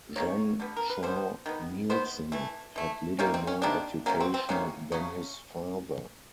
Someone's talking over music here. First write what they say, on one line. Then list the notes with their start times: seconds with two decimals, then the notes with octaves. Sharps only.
John Shaw Neilson had little more education than his father.
0.16 D#3 G3 A#3 C#5
0.60 D3 G3 B3
0.76 A#4
0.90 B4
1.03 D3 G3 B3 C5
1.46 D#3 G#3 B3
1.90 D#3 G#3 B3 C5
2.32 E3 A3
2.76 E3 A3
3.19 C3 D#3 G3 A#3 C#4
3.34 C4
3.47 C#4
3.62 C3 D#3 G3 A#3 D4
4.06 C3 D#3 F#3 A#3 C#4
4.20 C4
4.34 C4
4.49 C3 D#3 F#3 A#3 C#4
4.92 C#3 F#3 A3 C#4